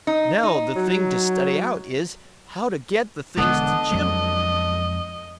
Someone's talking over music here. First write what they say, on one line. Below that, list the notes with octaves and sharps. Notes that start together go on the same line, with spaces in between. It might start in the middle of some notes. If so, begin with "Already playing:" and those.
"Now, the thing to study out is, how to get the things to Jim."
D#4
D#4
F#3
E1 D3 G#3 B3 D4 A4 D#5
F2 F#3 G#3